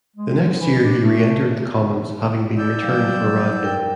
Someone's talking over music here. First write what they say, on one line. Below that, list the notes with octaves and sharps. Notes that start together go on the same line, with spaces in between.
The next year he re-entered the Commons, having been returned for Radnor.
G#3
F#3
E3
D4
A3
C#3
D5 E6 G6
F#3 G3 F5
A#4 G5